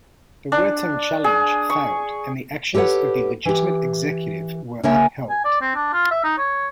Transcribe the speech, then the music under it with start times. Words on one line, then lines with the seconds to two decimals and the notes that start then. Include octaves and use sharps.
The Whetung challenge failed and the actions of the legitimate Executive were upheld.
0.52 D4
1.24 G#4
1.70 C#6
2.74 G4 A4 B4 C#5 F#5
3.45 E3 G4
4.83 C#3 A#3 C#4 A#4 C#5 E5
5.29 G#5
5.45 D5
5.62 C4
5.75 D4
5.93 F4
6.11 E5
6.24 D#4
6.38 C#5